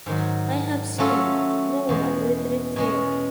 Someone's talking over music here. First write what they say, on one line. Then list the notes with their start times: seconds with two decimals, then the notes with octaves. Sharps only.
I have seen no woman with red hair.
0.06 G#2 D#3 F#3
0.98 F#3 A3 C#4 F4 A4
1.89 E2 B2 G#3
2.76 B2 G#3 C#4